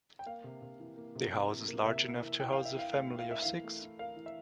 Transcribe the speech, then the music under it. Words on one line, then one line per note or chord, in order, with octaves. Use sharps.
The house is large enough to house a family of six.
G5
A#3 F5
C3
C3
E3
A#3
C3
C3
E3
A#3
C3 E5
C3
E3
E4 G5
A#4 F5
E5
E3 F5
A3 F5
E4
F5
A#4 E5
E3 F5
A3
E4
A#4 F5
E3
E5